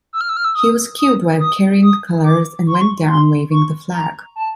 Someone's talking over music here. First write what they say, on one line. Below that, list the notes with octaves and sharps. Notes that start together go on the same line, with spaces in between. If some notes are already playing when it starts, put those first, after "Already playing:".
He was killed while carrying the colors and went down waving the flag.
E6
F6
E6
F6
E6
D#6
D#6
D#6
D#6
D6
C#6
C6
C#6
C6
C#6
A#5
A5